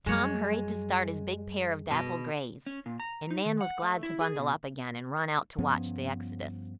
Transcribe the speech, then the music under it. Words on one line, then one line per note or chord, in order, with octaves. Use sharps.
Tom hurried to start his big pair of dapple grays, and Nan was glad to bundle up again and run out to watch the exodus.
F#2 G3 G#3 C#5
B2
C#4
A#2
A#5
D#4
D#3
F#5
A3
E4
G#4
B2
G2 F3 B3 C#4